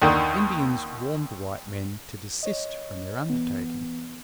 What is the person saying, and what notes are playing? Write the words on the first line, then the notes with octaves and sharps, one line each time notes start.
Indians warned the white men to desist from their undertaking.
D#2 D3 D#3
C#5 D#5
E3 B3